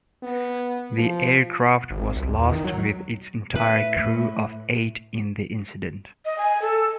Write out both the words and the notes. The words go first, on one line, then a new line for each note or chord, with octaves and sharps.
The aircraft was lost with its entire crew of eight in the incident.
B3
F3
G#1
C2
E2
D#3
F#3
A2 B4 E5
D#5
G#5
A4